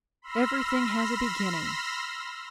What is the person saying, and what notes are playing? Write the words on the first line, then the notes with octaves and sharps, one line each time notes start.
Everything has a beginning.
B5 C6 E6 F6 A#6